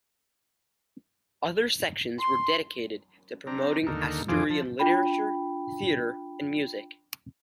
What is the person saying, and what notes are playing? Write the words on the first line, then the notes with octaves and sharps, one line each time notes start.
Other sections were dedicated to promoting Asturian literature, theatre and music.
C6
C4 D4 A#5
D#2 D3 D#4 A4 A#4
F2 E3 F3 F4 G#4 D6
F3 A5
D4 F4 G5 B5